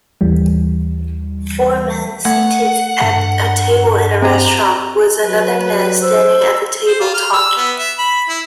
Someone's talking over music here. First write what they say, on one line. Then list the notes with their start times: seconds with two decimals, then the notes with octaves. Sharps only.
Four men seated at a table in a restaurant with another man standing at the table talking.
0.21 D#2 E3 G3
2.25 A3 F#5
3.01 G2
4.22 C4 G4 A#5
5.22 F#3 B4
6.02 C5 E6
6.87 C5
7.00 F4
7.14 F6
7.33 E6
7.57 B3
7.78 E5
7.99 B5
8.29 E4